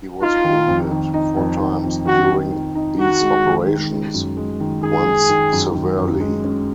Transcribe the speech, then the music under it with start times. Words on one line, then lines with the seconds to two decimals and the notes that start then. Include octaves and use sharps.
He was wounded four times during these operations, once severely.
0.21 D#4 F4
0.44 D#3
0.68 F2
0.91 D#3
1.14 D#4
1.37 F2
1.60 D#3
1.84 F2
2.05 D#3 F#4
2.28 D#3
2.52 D#3
2.75 D#4
2.98 D#3 F#4
3.21 G#3
3.44 D#3
3.67 D#3
3.90 G#3
4.14 F#2
4.37 G#3
4.60 D#3
4.82 D#3 G#4
5.06 D#3
5.29 D#3
5.53 F#2
5.75 D#3
5.98 F#2
6.20 G#3
6.44 C#4